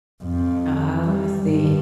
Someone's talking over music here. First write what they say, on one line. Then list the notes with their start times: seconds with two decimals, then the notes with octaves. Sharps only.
Oh, I see.
0.23 F2
1.05 G3
1.46 G2